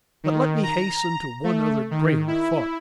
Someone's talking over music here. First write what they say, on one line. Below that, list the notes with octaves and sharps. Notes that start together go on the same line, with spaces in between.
But let me hasten to one other greater thought.
D#3
A#5
A3
D#3
E4